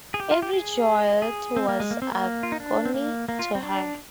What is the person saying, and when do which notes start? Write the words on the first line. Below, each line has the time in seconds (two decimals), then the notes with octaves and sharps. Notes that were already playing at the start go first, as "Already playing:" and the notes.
Every jolt was agony to her.
0.14 G#4
0.20 G4
0.31 F4
0.42 G4
0.53 G#4
1.22 G#4
1.56 C4
1.68 A#3
1.80 G#3
1.91 A#3
2.02 C4
2.12 A#3
2.43 F4
2.52 D#4
2.60 D4
2.85 C4
2.94 A#3
3.29 A#3
3.39 F4
3.55 C4
3.63 D4